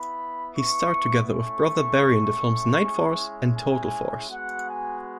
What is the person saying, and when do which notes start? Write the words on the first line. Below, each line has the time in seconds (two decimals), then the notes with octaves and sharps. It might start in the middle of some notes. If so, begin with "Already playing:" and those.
He starred together with brother Barry in the films "Nightforce" and "Total Force".
Already playing: B3 E4 B5
0.55 C#6
1.30 A3 C#4 E4 C#6
2.80 G#3 C#4 E4
3.54 G#5
4.29 G#3 B3 F#4 F#5
4.67 G#5